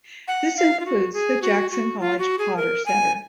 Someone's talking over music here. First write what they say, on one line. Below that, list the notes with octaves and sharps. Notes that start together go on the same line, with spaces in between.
This includes the Jackson College Potter Center.
F#5
F5
F4
F#4
G#4
F#4
F#4
F4
F#4
G#4
A#4
G#5